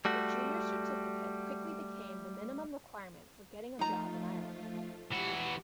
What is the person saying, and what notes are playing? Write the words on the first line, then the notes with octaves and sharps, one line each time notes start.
The Junior Certificate quickly became the minimum requirement for getting a job in Ireland.
G3 A3 F#4
F3 A3 D#4 F4 A#5
E3 F#4 G4